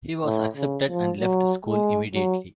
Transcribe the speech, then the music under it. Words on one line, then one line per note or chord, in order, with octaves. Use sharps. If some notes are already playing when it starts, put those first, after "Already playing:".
He was accepted and left school immediately.
A2
C#3
F3
F#3
G#3
F#3